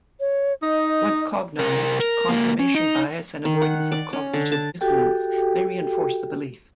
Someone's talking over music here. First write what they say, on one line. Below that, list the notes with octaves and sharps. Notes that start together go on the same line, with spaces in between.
Once cognized, confirmation bias and avoidance of cognitive dissonance may reinforce the belief.
C#5
D#4 D#5
C3 A#4
A#4
C#2 A#3
C#4
D#4
D#3
F#5
D5
C#4
D3
A5
F#4 G4 A4 G5